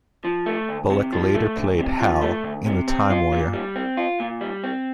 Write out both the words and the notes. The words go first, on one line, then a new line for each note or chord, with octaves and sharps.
Bulloch later played Hal in "The Time Warrior".
F3
A3
D2
C3
F3
A3
D2
C3
F3
A3
D2
C3
C4
F4
A#2
G3
C4
F4
A#2
G3
C4